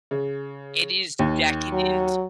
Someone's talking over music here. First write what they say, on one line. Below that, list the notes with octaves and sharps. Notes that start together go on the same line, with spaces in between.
it is decadent
C#3
D#2 D#3
F#3